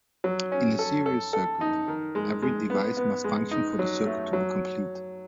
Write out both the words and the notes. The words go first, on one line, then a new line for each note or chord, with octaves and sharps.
In a series circuit, every device must function for the circuit to be complete.
F#3
C#4
A4
A4
A4
D#4
D#3
G#3
G#3
B3
B3
G#3
D#4
F#3
A3
F#3